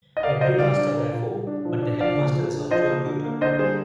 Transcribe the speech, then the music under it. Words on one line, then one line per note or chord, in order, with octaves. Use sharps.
Every master therefore but the headmaster is also a tutor.
D#5
A#4 D5 F5
F4 C5 D#5
G3 D5 F5
D4
A#4
F4
G3
D4
F3
D4
F3 D5 F5
A#3
F3
D4
F3 C5 D#5
A#3
D3
A#3
D3 C5 D#5
G3 G#4 C5